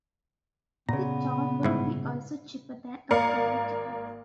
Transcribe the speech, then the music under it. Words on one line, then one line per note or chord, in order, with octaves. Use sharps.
The toll would be also cheaper than a ferry ticket.
A#2 C#3 B3 A#5
G1 G#2 E4
G#1 A#3 A#4 D5 F5 C#7